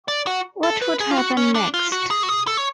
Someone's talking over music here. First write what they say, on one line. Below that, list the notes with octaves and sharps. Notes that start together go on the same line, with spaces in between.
What would happen next?
D5
F#4
A4
B4
G#4
F4
F#4
C#4
D4
F4
F#4
G#4
F#4
G#4
A4
C#5